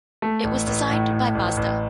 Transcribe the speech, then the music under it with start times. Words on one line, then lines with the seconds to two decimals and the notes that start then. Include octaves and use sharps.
It was designed by Mazda.
0.22 A3
0.44 A1
0.67 A1
0.90 A2
1.13 A2
1.35 A1
1.57 A1